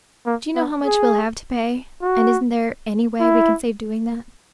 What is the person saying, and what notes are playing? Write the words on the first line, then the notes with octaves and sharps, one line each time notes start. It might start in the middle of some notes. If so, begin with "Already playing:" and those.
"Do you know how much we'll HAVE to pay? And isn't there any way we can save doing that?"
A#3
B3
G#4
F#4
E4